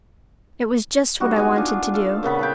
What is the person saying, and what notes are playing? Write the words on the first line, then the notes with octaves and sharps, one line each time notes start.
It was just what I wanted to do.
G3 D#4 F#4
B3 D#4 G#5
D4 F4
A4 F5
A#2 C#3 B3 B5
A4 F5 G5